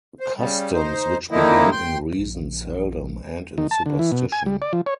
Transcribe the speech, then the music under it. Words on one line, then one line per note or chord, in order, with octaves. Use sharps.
Customs which begin in reason seldom end in superstition.
C5
C#3 G3
D#4 C5
D3 D#3 F3 A#3 D#4 E4
G5 C6
A#1
D#3
A5
D3
E3
B2
G#5
G3
D5
F3
C#5